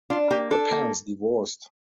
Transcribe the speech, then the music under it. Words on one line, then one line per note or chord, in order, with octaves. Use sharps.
Her parents divorced.
D4 F4
A#3 G4
D4 A4
A#3